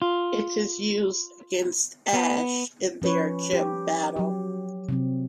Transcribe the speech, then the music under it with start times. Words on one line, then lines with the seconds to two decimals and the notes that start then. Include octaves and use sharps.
It is used against Ash in their gym battle.
0.02 F4
2.14 B3
3.02 F3 C#4 B4 C#5
3.53 G4
4.16 F#3 G4
4.89 C3 F#3 C4